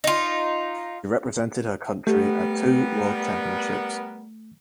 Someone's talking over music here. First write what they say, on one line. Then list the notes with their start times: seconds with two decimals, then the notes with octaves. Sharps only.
She represented her country at two World Championships.
0.04 D#4 F4
2.07 G3 A3 B3 G4 A#4